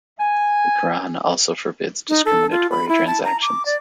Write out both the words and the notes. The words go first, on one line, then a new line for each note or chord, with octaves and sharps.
The Qur'an also forbids discriminatory transactions.
G#5
D#4
A4
F4
B5
E4
A5
A#5
D6
D5